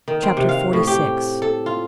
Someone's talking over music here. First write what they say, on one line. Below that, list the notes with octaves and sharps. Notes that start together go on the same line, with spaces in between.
Chapter XLVI.
D#3
C4
C3
F5
A2
G4
A4
F4